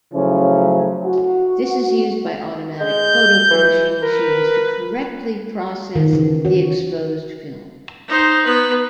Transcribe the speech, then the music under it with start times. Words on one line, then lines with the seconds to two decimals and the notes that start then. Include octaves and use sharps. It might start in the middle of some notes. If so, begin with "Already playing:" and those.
This is used by automatic photo-finishing machines to correctly process the exposed film.
0.14 C#3 F3 F#3 A3 C#4 E4
1.05 F#4
2.80 G#3 G6
3.51 E3
4.02 A#4 B4
5.96 D#3
6.13 C#3 E3
6.45 F#4 C#5
8.08 D#4 C5
8.45 B3 B4